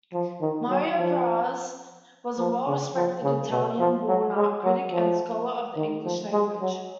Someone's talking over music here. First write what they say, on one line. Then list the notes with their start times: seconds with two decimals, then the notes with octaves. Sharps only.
Mario Praz was a well-respected Italian-born art critic and scholar of the English language.
0.14 F3
0.42 D#3
0.69 F#3
0.98 F3
2.39 F3
2.67 C#3
2.95 F3
3.23 C#3
3.51 B2
3.79 F3
4.08 F#3
4.36 G#3
4.64 F#3
4.92 F3
5.77 D#3
6.05 F3
6.32 G#3
6.61 F#3